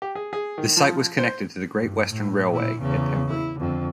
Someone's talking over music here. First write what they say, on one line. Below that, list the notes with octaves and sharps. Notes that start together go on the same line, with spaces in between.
The site was connected to the Great Western Railway at Pembrey.
G4
G#4
G#4
D#3
F3
C5
G2
A2
A#2 E4
E2 C#3
E4
F2 D3